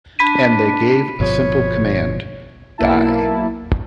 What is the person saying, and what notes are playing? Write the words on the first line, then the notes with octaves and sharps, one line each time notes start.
And they gave a simple command: Die.
D4 B5 B6 D#7
G1 B2 F3 C#5
B1 A#3 E4 A5